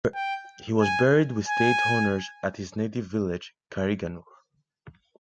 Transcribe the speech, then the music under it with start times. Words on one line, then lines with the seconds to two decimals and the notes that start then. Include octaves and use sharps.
He was buried with State honours at his native village, Kariganur.
0.15 G5
0.81 G#5
1.48 G#5